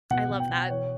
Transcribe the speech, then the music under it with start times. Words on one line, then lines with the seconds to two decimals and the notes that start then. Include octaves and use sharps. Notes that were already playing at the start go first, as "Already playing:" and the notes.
I love that.
0.10 B2 F#5
0.30 B2
0.40 G5
0.49 B2
0.69 E3 C#5